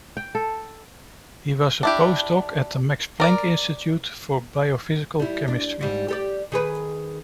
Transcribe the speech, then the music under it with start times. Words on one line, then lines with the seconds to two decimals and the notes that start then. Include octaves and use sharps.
He was a Postdoc at the Max Planck Institute for Biophysical Chemistry.
0.17 G5
0.35 A4
1.83 D4 E4 G4
3.20 A#4 D5
5.20 G3 E4
5.48 D4
5.81 G#2 G3
6.08 G4 A4 D5
6.52 D#3 G#4 B4